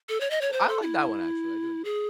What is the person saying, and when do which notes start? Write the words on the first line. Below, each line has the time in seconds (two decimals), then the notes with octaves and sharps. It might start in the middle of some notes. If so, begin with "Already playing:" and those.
Ooh, I like that one, actually, I do enjoy that
0.09 A4
0.21 C#5
0.30 D#5
0.41 C#5
0.53 C5
0.68 A4
0.82 E4
1.85 G#4